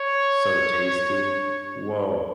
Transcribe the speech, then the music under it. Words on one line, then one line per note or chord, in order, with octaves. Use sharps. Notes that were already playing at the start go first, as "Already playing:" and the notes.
So tasty. Woah.
Already playing: C#5